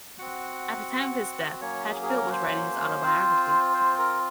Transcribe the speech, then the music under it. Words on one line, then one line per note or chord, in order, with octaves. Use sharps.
At the time of his death, Hatfield was writing his autobiography.
C4 F#4 F#5
F#3 A#3 C#4 C#5
G#4
G#4
A#4
C5
C4 F4
C5
A#4